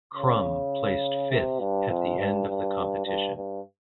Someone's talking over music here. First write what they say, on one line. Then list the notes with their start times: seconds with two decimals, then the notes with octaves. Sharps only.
Krumm placed fifth at the end of the competition.
0.14 C#3
1.31 C3
1.60 G2
1.89 F2
2.19 G2
2.48 G2
3.06 G2
3.36 G2